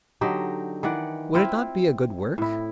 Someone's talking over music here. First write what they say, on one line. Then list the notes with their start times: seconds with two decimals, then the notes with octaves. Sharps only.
Would it not be a good work?
0.21 D3 F#3 D#4 G4
0.83 D#3 E3 D5 F#5
1.35 C4 E4 F4
2.38 A2 E4